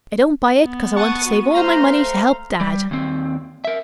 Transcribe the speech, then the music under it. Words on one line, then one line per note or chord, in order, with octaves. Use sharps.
I don't buy it because I want to save all my money to help Dad.'
B3
F#5 A5 C#6 D#7
F#4
A3 C5 F5 A#5 C6
G3
D#2 C4
A#4 E5